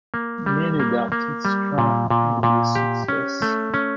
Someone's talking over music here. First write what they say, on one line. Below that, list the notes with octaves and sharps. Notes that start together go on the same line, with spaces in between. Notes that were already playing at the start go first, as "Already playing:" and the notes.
Many doubted Strawn would be a success.
A#3
G3
A#3
A#3
G3
A#2
A#2
A#2
G4
C#4
A3
C#4